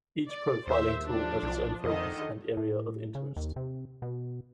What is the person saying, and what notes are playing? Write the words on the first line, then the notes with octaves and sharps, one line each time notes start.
Each profiling tool has its own focus and area of interest.
D5
D#2 C5 E5
F3 D4
B1
F2 D3 D#3 D#5
A2
C#3
D#2
C3
B2